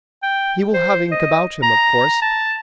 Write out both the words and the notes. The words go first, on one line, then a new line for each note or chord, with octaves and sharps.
He will have ink about him, of course.
G5
C5
D#5
A#5
A5